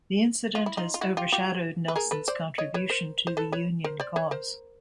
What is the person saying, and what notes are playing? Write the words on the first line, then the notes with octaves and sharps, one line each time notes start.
The incident has overshadowed Nelson's contribution to the Union cause.
F4
E4
D#4 F4
F4
E4 F#4
F4 G4
F4 G4
B4
G#4 A#4
A4 B4
C5 D5
C#5 D#5
B4 C#5
A#4 C5
C5
A4 B4
B4 C#5
A#4 C5
C5 D5
B4 C#5
A#4 C5